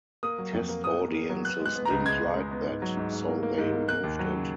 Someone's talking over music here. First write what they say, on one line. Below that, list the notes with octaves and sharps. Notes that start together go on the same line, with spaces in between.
Test audiences didn’t like that so they removed it.
A#3 D#6
F#3
F2
A#3
A#3 D#6
A#3
A#3
F#3
B3 F#6
G#3
F#6
B3
C#2 A#5
G#3 G#6
C#2
G#3
B3
G#2
F#3
G#2
G#2
A#3
A#3
G#2
A#3
A#3 F#6
D#2
F#3
C#3